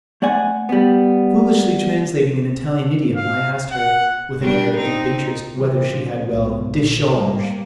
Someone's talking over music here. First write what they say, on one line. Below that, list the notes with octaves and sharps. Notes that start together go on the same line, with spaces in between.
Foolishly translating an Italian idiom, I asked her, with an air of deep interest, whether she had well 'decharge'?
A3 D5 F#5 G#5
G3 B3
F5
F#5
G3 D4
C4 D#4
C3 E3
A#2 F3
B1 G#2
A#1 A#2
G3 A#3